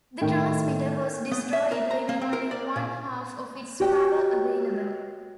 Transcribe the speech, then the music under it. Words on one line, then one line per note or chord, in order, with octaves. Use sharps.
The transmitter was destroyed, leaving only one-half of its power available.
A2 D#3 G5
B3
E5
A#4
A#5
A#3
C4
A#4
D5
A#2
F#4 G4 C#5 D#5 G5